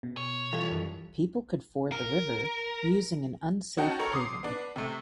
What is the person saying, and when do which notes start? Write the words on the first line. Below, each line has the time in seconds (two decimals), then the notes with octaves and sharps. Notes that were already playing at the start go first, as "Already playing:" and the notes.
People could ford the river using an unsafe paving.
0.03 B2
0.17 C#5
0.53 E3 G3 F4 A4
0.71 F#2 D#3
1.92 A#4
3.77 C#4 D#4 F#4 F#5 G5 A5
3.99 A4 A#4 C#5 A#5
4.12 C6 D6 D#6 C7
4.43 B3 D4
4.76 C3 A3